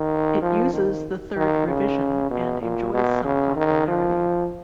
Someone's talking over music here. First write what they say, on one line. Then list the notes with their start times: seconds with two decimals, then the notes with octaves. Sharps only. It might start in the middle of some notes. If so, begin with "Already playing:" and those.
It uses the Third Revision and enjoys some popularity.
Already playing: D#3
0.42 F3
0.73 D#3
1.36 D#3
1.68 C#3
2.31 B2
2.62 A#2
2.93 B2
3.25 C#3
3.56 D#3
3.88 F3